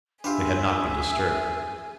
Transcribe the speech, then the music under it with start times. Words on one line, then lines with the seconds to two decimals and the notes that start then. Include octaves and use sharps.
They had not been disturbed.
0.24 D4 F4 G4 G#4 B4 E5